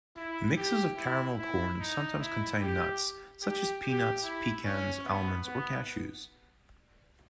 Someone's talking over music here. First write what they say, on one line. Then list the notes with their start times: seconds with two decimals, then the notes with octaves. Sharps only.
Mixes of caramel corn sometimes contain nuts, such as peanuts, pecans, almonds, or cashews.
0.16 E4
0.56 G4
0.97 E4
1.39 E4
1.79 D#4
2.20 E4
2.61 G4
3.42 G4
3.83 G4
4.23 E4
4.64 C#4
5.05 B3
5.46 B3